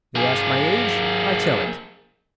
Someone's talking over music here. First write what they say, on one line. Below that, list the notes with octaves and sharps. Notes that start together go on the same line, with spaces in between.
They ask my age; I tell it.
A#3 G#4